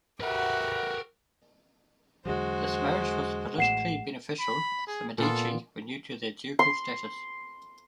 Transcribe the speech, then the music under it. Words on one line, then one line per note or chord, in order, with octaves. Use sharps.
This marriage was politically beneficial as the Medici were new to their ducal status.
F#4 G4 A#4 B4 E5 F#5
E2 D3 F#3 G#3 F#4 C5
A1 A2 F#5 C7 E7
B5
G#4
A#2 B3 F4 A4
C6